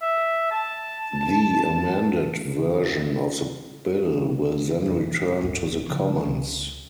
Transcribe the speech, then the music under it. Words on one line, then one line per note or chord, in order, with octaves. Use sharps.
The amended version of the bill will then return to the Commons.
E5
A5
B1 F2
C2 G#3
D1 G2
C#3 F3
C#2